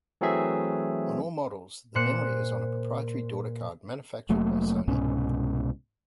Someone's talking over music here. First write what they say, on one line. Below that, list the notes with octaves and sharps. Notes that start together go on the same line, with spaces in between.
On all models, the memory is on a proprietary daughtercard manufactured by Sony.
E3 F#3 A3 C4 G#4 E5
A#2 C5 F#6 C#7 E7
F1 F#3 A3 A#3
C2 G#2 B2 C#4